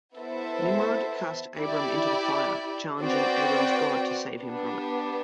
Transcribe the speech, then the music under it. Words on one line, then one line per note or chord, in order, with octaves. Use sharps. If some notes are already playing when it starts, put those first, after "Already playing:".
Nimrod cast Abram into the fire, challenging Abram's God to save him from it.
B3 E4 A4 C5 E5
E4 G4 D5
C4 F#4 B4 D5 G5
B3 D4 G4